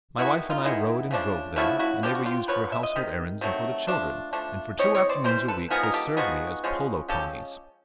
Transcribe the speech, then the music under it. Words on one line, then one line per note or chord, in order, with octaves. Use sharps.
My wife and I rode and drove them, and they were used for household errands and for the children, and for two afternoons a week they served me as polo ponies.
D#3 G#3 B3 D#4 E4 F#4
D#4 F4
D#3 G#3 B3 D#4 E4
C#3 F3 A3 D4
C#3 F3 A3 D4 E4 F#4
E4 F#4
D3 F3 A3 D4 G4
F#4
F4 G4
D3 F3 B4 C#5
E5
D#5
C3 D#3
C3 D#3 F#3 A3
F3 A3 D4
F3 A3 D4
E3 G3 C4 C#5 D#5
C#5 D#5
C5 D5
E3 G3 C4 A#4 C5
A4 B4
F3 G#3 B3 D#4 G#4 A#4
A#4
G4 A4
F3 G#3 B3 D#4 F#4 G#4
F3 G#3 C#4
F3 G#3 C#4 G4 A4